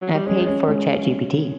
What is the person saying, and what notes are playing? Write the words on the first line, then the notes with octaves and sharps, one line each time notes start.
I paid for ChatGPT
F#3
G3
G#3 C#4
C#4
G#3